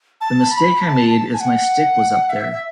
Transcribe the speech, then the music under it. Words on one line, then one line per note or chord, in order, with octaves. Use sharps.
The mistake I made is my stick was up there.
A5
B5
A5
A5
G#5
F#5
E5
E5